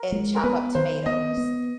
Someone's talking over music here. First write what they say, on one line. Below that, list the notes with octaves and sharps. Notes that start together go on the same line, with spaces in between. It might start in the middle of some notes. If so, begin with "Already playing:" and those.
and chop up tomatoes,
Already playing: A#4
G#3
A#4
B3 B4
D#3 C5
B3 D#5
B3